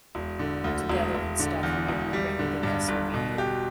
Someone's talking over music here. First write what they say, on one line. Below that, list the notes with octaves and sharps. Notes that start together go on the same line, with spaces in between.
together and stuff. We we rented an SUV and
E1
D3
D2
E1
E1
D3
E2
E1
G3
D3
G2
G1
B2
G4